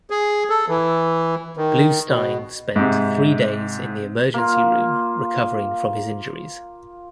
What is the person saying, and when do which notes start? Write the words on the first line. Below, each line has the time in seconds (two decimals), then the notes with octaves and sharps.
Bluestein spent three days in the emergency room recovering from his injuries.
0.10 G#4
0.49 A4
0.68 E3
1.57 D#3
2.08 B2
2.76 G#2 C3
4.34 A#3 F4